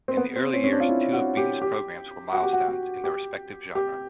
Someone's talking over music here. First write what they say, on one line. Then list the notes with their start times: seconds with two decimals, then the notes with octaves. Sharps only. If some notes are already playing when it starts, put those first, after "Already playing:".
In the early years, two of Beam's programs were milestones in their respective genre.
0.08 C4
0.17 B3
0.36 C4
0.54 C#4
0.64 C#4
0.72 D4
0.80 F4
0.89 E4
1.13 F#4
1.37 G4
1.62 G4
2.33 F#4
2.43 G4
2.53 F#4
2.68 F#4
3.04 G4
3.75 G4